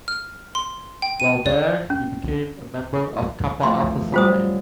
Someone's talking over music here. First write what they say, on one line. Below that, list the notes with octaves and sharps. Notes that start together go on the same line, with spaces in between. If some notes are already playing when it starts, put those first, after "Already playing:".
While there he became a member of Kappa Alpha Psi.
F6
C6
G5
D#7
D5
C#4
E3 F3 A3 C6
F#2 G3 F4 C5 D#6